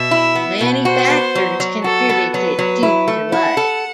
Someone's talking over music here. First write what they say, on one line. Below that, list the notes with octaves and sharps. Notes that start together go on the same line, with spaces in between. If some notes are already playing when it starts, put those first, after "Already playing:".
Many factors contributed to the delay.
Already playing: B2 E5
E4
B3
B2
F#4 C5
B3
F#3
F#3
F#4 A4
B3
F#3 B4
F#3
E4
A3
E4 F#5
A4